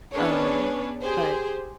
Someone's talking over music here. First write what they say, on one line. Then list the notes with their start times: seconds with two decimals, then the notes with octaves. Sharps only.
Um, but
0.12 B3 C#4 D4 G#4 B4 C#5
1.02 G4 G#4 C5